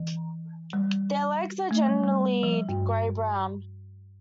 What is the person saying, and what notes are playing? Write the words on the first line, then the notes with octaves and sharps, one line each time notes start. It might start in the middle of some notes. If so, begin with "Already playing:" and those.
Their legs are generally grey-brown.
Already playing: E3
G3
A3
G3
G3
F3
G2